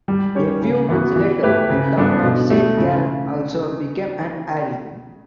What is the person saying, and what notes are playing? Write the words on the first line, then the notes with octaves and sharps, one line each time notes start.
A few months later, the town of Saint Gallen also became an ally.
G3
C#4 G4 C#5
C#3
E3 B3 F#4
E3
A3 E4 G4 B4
C#3
G3 B3 D4 A4
B2
A3 E4
C#3